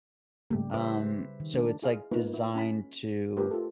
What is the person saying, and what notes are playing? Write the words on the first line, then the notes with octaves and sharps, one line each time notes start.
um, so it's, like, designed to,
G#2 C#3 G3 A3 A#3 G4
B4 C5 E5 D6
D#3
A3 D4
E4 G#4 F5
A#3 B3 D#4 F4 B4
E4
C#4 B5
A3 G4 A#4 B4
F4 A4